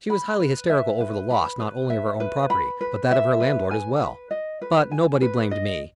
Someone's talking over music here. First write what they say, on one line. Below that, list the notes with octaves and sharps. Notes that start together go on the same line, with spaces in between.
She was highly hysterical over the loss not only of her own property but that of her landlord as well, but nobody blamed me.
B5
B4
E5
B4
B5
B4
E5
B4
B5
B4
E5
B4
G#5
B4
D#5
B4
G#5
B4
D#5